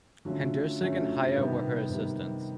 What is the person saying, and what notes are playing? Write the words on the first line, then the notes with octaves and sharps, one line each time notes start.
Hendursag and Haia were her assistants.
D3 F#3 A3 C#4 F4
D3 F#3 A3 C#4 F4
C3 D#3 G3 B3
C3 D#3 G3 B3